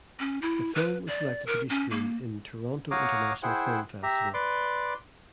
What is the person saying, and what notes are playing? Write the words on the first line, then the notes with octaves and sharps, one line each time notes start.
The film was selected to be screened in Toronto International Film Festival.
C#4
E4
B4
D5
A#4
C#4
A#3
C#5 F5 F#5 A#5 D6 D#6
E4 G#4 C5 F#5 G5
G4 E5 A#5
B4 D5 C6 D6